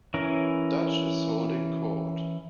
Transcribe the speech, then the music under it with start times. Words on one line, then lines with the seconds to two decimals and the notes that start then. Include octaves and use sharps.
Dutch is holding court.
0.14 E3 C#4 A#4